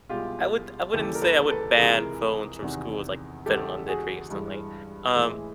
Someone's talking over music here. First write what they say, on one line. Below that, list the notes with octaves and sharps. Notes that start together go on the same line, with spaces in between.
I would I wouldn't say I would ban phones from schools like Finland did recently. Um,
C2 B2 G#3 F4 G4
D#2 C#3 E3 G3 G4 A4
A#4
A4 B4
A4 B4
C#2 C3 E3 G#3 G#4 A#4
E2 C3 D#3
E2 C#3 E3 G#3 G4 A4
F#4 G#4
G2 E3 G#3
A2 E3 G#3